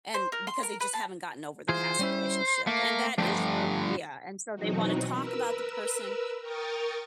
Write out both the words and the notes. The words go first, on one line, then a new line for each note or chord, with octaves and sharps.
and because they just haven't gotten over the past relationship, and that is the yeah, and so they wanna talk about the person
C5
A#4
C6
A#4
B4
A5
E3 F4 G#4 C5
G3 C#4 E4
A3 A#3
G2 D3 F3 A3 G4
B2 E3 F#3 C4 D#4 F#4
A#4 B4 E6
A#4 G5 C#6 D#6 F6 A6